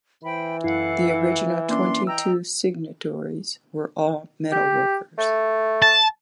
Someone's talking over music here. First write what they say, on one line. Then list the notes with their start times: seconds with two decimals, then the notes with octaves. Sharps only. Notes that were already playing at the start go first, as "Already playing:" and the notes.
The original twenty two signatories were all metalworkers.
0.24 E3 C5 G5 B5
0.64 F#2 E4 A4 F5 F#5
1.69 A#3 C#4 D4 C6
2.07 D#5 G5 A#5 E6
4.52 G4
5.18 A3
5.82 A5